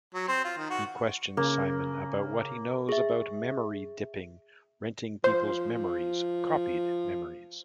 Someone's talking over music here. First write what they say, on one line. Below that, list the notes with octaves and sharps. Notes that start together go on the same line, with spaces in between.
He questions Simon about what he knows about "memory-dipping", renting people's memories, copied memories.
F#3
C4
F4
D#3
F#4
C#3 A#3
G#4 E5
F3 C5